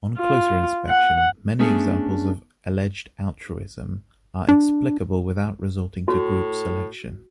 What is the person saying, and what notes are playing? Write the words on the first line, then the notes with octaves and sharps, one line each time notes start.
On closer inspection many examples of alleged altruism are explicable without resorting to group selection.
F4
F#5
A3 B3 C#4 D4 G#4
D4
A2 F#4